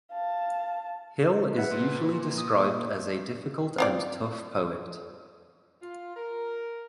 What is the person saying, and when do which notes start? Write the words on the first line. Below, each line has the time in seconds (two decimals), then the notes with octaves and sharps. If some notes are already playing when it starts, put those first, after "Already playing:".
Hill is usually described as a difficult and tough poet.
0.11 F5 A5
1.56 B4 E5 F#5
1.71 A#2
2.38 D#6
3.78 C4 F4 D5
5.82 F4
6.17 A#4